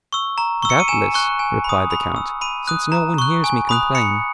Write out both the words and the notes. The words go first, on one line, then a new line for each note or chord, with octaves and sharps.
"Doubtless," replied the count, "since no one hears me complain."
C#6 E6
A#5
C#6 E6
C#7
D#7
G#5 E7
C#6 F#6
G#5
B5 D#6
B5
E6
B5 D#7
D#6 F#6
A#5
C#6 F#6
G#5
B5 D#6 F#6
B5 C#7